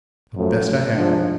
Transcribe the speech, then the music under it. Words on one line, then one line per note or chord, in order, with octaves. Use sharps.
"The best I have."
F#2 F3 A3
G#2 F3 G#3 D4